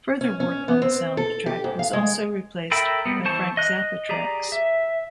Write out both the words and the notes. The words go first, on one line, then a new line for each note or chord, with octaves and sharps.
Further work on the soundtrack was also replaced by Frank Zappa tracks.
C#4
C#4
B3
C4
A4
G4
G#2
F5
G#3
A4 A#4 E5 G5 B5
G3 B3
E3 C5 A5 C#6
D#5 F#6
G4 G#4 D5 A#5
E5